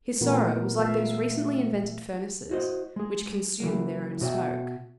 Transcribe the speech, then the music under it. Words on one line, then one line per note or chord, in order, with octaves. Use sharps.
His sorrow was like those recently invented furnaces which consume their own smoke.
A#2 E3 A3 B3 A#4 B4
A3 E5 F5
E4 F#4 C5 D#5
G#3 G#4
C#3 E3 F#3 A#3
B2 F#4 B4 D5 E5 G5